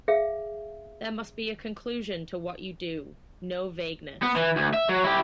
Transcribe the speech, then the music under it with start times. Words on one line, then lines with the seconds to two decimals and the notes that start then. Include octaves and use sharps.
There must be a conclusion to what you do, no vagueness.
0.08 G#4 E5 F5
4.23 B3
4.36 E3
4.56 D2
4.73 E5
4.89 F#3
5.04 E4 G4